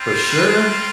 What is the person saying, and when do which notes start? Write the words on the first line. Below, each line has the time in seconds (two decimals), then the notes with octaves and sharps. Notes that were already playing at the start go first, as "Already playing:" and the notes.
For sure,
Already playing: G3 C4 F4
0.31 B4